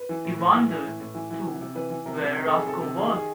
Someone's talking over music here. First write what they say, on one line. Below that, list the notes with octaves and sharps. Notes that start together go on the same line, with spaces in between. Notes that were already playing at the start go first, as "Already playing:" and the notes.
He wondered, too, where Roscoe was.
Already playing: B4
E3
A2
A2
E3
E3
A2
A2
E3
E3
C3
C3
E3 B4
E3
C3 A#4
C3
D#3 A#4
D#3 A4
G#4
C3 A4
C3
D#3 G#4
G4
D#3 G#4